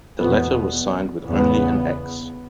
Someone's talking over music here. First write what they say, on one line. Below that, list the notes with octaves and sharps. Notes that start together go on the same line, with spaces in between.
The letter was signed with only an X.
E2 B2 B3
E2 C#3 B3